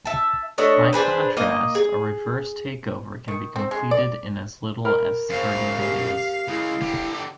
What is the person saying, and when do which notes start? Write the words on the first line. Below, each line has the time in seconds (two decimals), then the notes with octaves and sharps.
By contrast, a reverse takeover can be completed in as little as thirty days.
0.05 E5 A5
0.58 A3 D4 C#5 D#5
0.93 D4 G#4 B4 C5
1.37 A#3 D#5
1.75 G#4
3.28 D#3
3.56 C4
3.71 G#3
3.91 D5
4.85 A#4 B5 F6
5.30 F#2 C#3 C5 F5
5.76 G4
6.48 C#3 G#3 E4
6.81 D3 G4